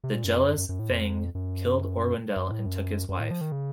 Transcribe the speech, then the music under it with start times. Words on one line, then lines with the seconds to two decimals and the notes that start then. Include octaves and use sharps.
The jealous Feng killed Orwendel and took his wife.
0.04 C3
0.14 A#2
0.24 F#2
0.36 F2
0.47 F#2
0.58 F#2
0.69 F#2
0.79 A2
0.90 F2
1.35 F#2
2.36 F#2
2.51 A2
2.66 F#2
3.09 F#2
3.20 A2
3.31 F3
3.41 D#3
3.52 C#3